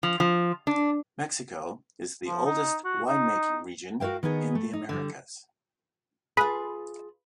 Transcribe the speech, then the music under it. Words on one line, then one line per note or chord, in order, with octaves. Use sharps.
Mexico is the oldest wine-making region in the Americas.
F3
F3
D4
F3
D#4
F#4
D#4
F#4 A#4 C5 F5 G5
D#3 B3 D#4 G#4
A3
D#4
D3 G3
F4 G#4 B4